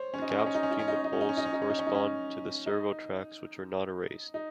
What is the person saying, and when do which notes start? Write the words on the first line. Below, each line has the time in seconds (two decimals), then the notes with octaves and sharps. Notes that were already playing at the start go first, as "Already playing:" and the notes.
The gaps between the poles correspond to the servo tracks, which are not erased.
Already playing: C5 C#5
0.14 C#4
0.22 D#4
0.30 C#4
0.39 D#4
0.46 C#4
0.55 D#4
0.63 C#4
0.71 D#4
0.79 C#4
0.88 D#4
0.96 C#4
1.04 D#4
1.13 C#4
1.21 D#4
1.29 C#4
1.37 D#4
1.45 C#4
1.53 D#4
1.62 C#4
1.70 D#4
1.79 C#4
1.87 D#4
1.94 C#4
2.66 D#4
4.34 D#4